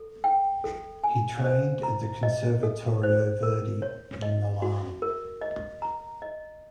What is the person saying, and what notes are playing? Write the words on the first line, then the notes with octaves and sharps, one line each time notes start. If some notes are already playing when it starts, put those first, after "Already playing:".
He trained at the Conservatorio Verdi in Milan.
Already playing: A4
G5
A4
G#5
C5
A#5
D#5
A4
C5
A#4
C#5
D#5
F#4
A#4
D#5
A#5
D#5